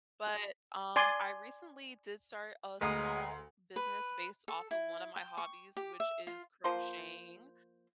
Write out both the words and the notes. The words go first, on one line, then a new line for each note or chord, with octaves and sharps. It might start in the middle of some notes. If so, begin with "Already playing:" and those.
but, um, I recently did start a small business based off of one of my hobbies, which is crocheting,
D5 G#5 C6
D2 G#3 B4 F5 A#5 D#6
B4
A4
E4
G5
C#6
G4
E5
F4
F3 A#3 C5